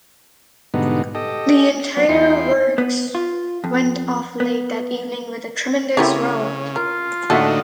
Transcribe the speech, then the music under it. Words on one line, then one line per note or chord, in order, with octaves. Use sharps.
The entire works went off late that evening with a tremendous roar.
G#2 B2 D3 G3 B3 D#4
G4 A4 D#5
F#3 B3 C4
E2 E4 F4 G#4 G5 C6
B3
F4
F2
B3
C#3 A3 C4 E4 G4 A#4 C#5
F4 A#4
A2 D3 A#3 D#4 F#4 A4 E5